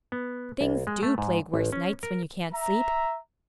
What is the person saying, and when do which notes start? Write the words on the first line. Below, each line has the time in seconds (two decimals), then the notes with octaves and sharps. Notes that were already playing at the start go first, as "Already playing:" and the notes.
Things DO plague worse nights, when you can't sleep.
0.12 B3
0.61 C2
0.87 G#3
1.03 A3
1.18 G#2
1.54 A1
1.73 C#4
2.03 A#4
2.53 E5 A#5